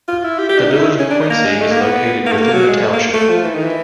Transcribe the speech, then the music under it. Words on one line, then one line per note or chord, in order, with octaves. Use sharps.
The village of Quincy is located within the township.
F4
E4
G4
G4
D4
D#4
E4
C#4
D4
D#4
A#3
G#3
A3
A#3
B3
A#3
A3
A#3
F#3
G#3
A3
A#3
A3
F3
E3
D#3
E3